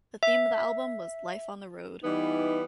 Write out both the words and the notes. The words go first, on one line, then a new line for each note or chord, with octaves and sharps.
The theme of the album was life on the road.
E5
E3 G3 B3 D#4